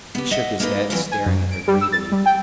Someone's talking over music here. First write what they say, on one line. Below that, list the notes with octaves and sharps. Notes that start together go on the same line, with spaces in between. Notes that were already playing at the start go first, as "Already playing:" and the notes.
He shook his head, staring at her greedily.
B3 G4
D#5 E5 F#5
A#3 D#4 B4 D#5
E3 F#3 C4 E4 F4
G#5
F#2
D7
G3
E6
A6
G3
G5